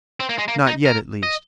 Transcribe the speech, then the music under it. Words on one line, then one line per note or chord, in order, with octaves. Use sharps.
Not yet, at least.
C4
A#3
G#3
A#3
D#4
A#4
D#5